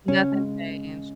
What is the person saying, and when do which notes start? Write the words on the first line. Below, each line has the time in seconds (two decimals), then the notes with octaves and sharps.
Nothing changed.
0.08 C#3 C#4
0.32 G#3